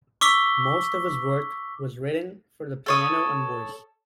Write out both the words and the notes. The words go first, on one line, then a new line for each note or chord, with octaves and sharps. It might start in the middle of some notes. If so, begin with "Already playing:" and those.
Most of his work was written for the piano and voice.
C#6 D6 E6 B6 G7
A4 C#5 D#6